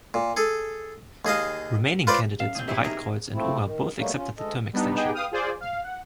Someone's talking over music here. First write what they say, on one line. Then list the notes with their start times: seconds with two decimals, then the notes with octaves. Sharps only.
Remaining candidates Breitkreuz and Unger both accepted the term extension.
0.14 A#2
0.37 G#4 A4
1.25 D#2 G#4 D#5 F5
2.07 F4 B4 C5 D5
2.40 F#2 F5 E7
2.55 A1 B2 C4 G#4
2.68 F#3 E4 G4 G#4 E5
2.83 D#3 G#4 A#4
3.35 F3 A3 C4 E4
3.64 D#3
3.98 B2 F#3 G3 A3 A#3
4.16 C#4 F4
4.38 D2 G#3 A4 D#5
4.73 G3 B3 D4 D#4
4.96 B3 D#4 G4 G#4 D#5 G5
5.14 B4 F5 G5 D#6 F6
5.31 F4 G#4 C5 D5
5.61 F5
5.83 F#5